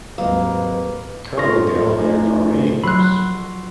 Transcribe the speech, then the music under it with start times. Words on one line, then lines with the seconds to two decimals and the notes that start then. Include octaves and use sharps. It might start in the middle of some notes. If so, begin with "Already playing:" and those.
Currently, this elevator is already in use.
0.18 D#2 G#2 F#3 G#3 A#3 C4 B4
1.38 F4 G#4 A4 C#6 A#6
1.99 A3 C5 G#5
2.84 F#3 B5 C6 E6 F#6 C7